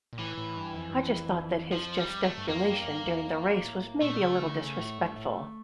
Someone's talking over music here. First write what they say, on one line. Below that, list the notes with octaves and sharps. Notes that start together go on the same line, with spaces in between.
I just thought that his gesticulation during the race was maybe a little disrespectful.
A#2
A2 E3
A2
G2
F2
G2
F2
F3
G3
A3
G2
F2 A#3
G2
F2
G2
E2
F2
A2
A#2 A3
C#3
D3
C#3
A2
G2
A2